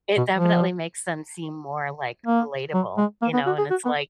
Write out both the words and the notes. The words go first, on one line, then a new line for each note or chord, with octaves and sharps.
it definitely makes them seem more, like, relatable, you know, and it's like,
B2
F3
A#3
F#3
G#3
A#3
B3
F#4
G#4
F#4
B3